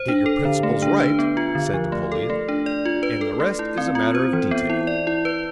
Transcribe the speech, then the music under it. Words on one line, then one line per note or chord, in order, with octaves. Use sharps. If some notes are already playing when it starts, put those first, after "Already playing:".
"Get your principles right," said Napoleon, "and the rest is a matter of detail."
Already playing: C5
D4
A4
D3
A3
D4
B4
B3
F4
D3
F3
A3
A4
A3
D4
D5
F4
B4
A4
A3
E4
C4
F4
C5
E3
B3
E4
D5
E4
B4